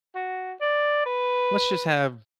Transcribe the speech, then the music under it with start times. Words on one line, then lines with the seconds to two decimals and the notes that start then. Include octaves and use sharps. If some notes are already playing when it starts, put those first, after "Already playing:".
let's just have,
0.15 F#4
0.61 D5
1.06 B4